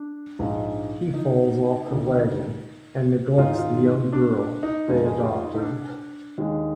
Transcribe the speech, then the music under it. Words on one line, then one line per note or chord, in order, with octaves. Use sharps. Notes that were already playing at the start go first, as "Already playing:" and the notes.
He falls off the wagon and neglects the young girl they adopted.
Already playing: D4
A#1 G#2 F3 G#3
D#4
D2 C3 D#3
G#1 G#2 D#3 G#3 F4
D#4
F4
D4
D4
D#4
F2 D3 G#3 F4
G#4
G4
F4
D#4
D#4
D4
D#2 D#3 G#3